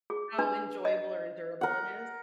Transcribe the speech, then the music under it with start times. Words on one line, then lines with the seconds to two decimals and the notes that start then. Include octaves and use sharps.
how enjoyable or endurable it is?
0.10 G#4
0.38 D4 B4
0.85 D#5
1.61 A#4 F#5